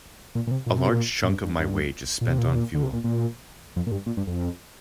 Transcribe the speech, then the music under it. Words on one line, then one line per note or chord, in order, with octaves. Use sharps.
A large chunk of my wage is spent on fuel.
A#2
A#2
C3
A#2
C3
A#2
A#2
G2
G2
G2
A#2
C3
A#2
C3
A#2
D3
C3
A#2
A#2
F2
A#2
G2
A#2
G2
F2